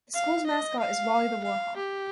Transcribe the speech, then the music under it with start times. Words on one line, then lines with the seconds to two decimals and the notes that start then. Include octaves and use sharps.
The school's mascot is "Wally the Warhawk".
0.14 F5
0.47 D#5
0.80 F5
1.44 F5
1.77 G4